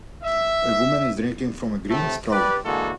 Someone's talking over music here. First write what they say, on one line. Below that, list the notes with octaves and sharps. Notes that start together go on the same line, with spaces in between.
A woman is drinking from a green straw.
E5
A2 C3 A3
G4 B4 D5
D3 E3 G#3 A#3 F#4 A4